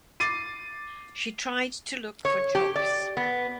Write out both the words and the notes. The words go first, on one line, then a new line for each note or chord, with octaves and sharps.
She tried to look for jobs.
D6 A6 C7 D#7
C#5
G4
D5
B3